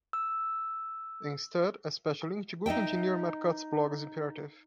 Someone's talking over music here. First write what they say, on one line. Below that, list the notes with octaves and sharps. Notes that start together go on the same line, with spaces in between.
Instead, a special link to Google engineer Matt Cutts' blog is imperative.
E6
D#4 D#5 E5 G5